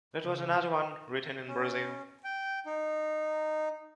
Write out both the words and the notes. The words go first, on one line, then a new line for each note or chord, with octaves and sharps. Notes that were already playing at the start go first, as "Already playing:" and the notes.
That was another one written in Brazil.
C#3
C#4
G5
D#4